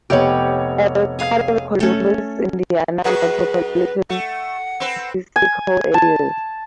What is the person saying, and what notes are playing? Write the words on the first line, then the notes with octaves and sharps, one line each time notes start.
It is part of the Columbus, Indiana metropolitan statistical area.
F1 B3 G4 C#5
G#4 F5
A3 C#4 A4
F#2 F#4 G#4 B4
A3 F#5
C4 B4
G#5
A5